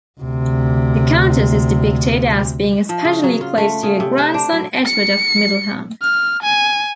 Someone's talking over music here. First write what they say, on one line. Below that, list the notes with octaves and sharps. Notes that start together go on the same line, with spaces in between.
The Countess is depicted as being especially close to her grandson Edward of Middleham.
D2 C3
F3
C#3
F#3
F4
A3
C#3
C3
C5
D4
F#3
C#7
F6
G#5